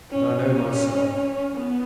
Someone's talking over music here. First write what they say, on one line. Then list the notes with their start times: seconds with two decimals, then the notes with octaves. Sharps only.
And I know myself.
0.11 C#4
0.40 C#4
1.55 B3